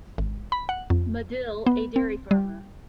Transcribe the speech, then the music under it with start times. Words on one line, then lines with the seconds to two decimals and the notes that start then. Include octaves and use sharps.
Madill, a dairy farmer.
0.18 G#1
0.52 B5
0.69 F#5
0.90 F2
1.66 B3
1.96 C4
2.31 G3